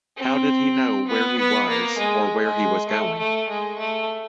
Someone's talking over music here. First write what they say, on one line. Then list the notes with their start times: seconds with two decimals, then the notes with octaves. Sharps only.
How did he know where he was or where he was going?
0.17 C4
1.08 B3
1.38 B3
1.69 A#3
1.98 G#3
2.43 G#3
2.89 A3
3.18 A3
3.49 G#3
3.79 A3